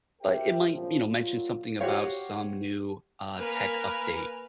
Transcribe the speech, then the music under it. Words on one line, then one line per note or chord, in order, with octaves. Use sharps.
but it might, you know, mention something about some new, uh, tech update,
G4 A#4 C5 E5 G5
F2 A#2 C#3 F3
F#3 G3 A#3 F4
F#4 G4 C5 C#5 F5
A#3 A#4 B4 G#5 F6